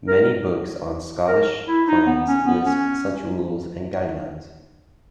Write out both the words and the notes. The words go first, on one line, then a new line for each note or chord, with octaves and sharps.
Many books on Scottish clans list such rules and guidelines.
A#4
A#4
E4
D#4
B3
C#4
B3
C#4